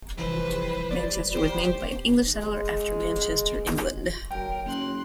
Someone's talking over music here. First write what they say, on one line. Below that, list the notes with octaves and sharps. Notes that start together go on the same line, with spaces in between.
Manchester was named by an English settler after Manchester, England.
C2 F2 E3 B4 C5
D5
G4 C5
G#3
D#2 D3 F#3 A#4 G5
F#1 C6 F#6